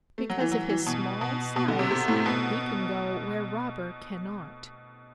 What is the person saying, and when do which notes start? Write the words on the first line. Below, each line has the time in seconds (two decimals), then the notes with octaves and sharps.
Because of his small size he can go where Robber cannot.
0.18 A3
0.30 F#3
0.40 E3
0.52 F#3
0.69 E3
0.86 B2
1.21 B2
1.56 B2
1.68 D3
1.79 C3
1.91 C3
2.08 A2
2.26 B2